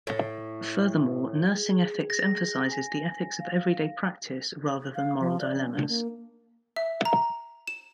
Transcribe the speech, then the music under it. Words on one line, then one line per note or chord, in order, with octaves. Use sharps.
Furthermore, nursing ethics emphasizes the ethics of everyday practice rather than moral dilemmas.
A2
G#4
A#6
G#5
F5
F5
F3
D5
C#4
D4
A#3
E5
A#5
E7